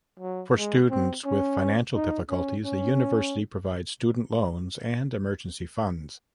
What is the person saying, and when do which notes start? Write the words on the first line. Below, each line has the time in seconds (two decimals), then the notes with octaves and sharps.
For students with financial difficulties, the university provides student loans and emergency funds.
0.20 F#3
0.55 G#3
0.90 C4
1.25 C#4
1.95 D#4
2.30 C#4
2.65 C#4